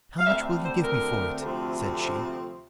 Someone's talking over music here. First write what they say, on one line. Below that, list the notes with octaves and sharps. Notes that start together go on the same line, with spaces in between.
"How much will you give me for it?" said she.
F5
D2 D3 A3 C4 E5
C5
A#4
D2 C3 F3 A3 C4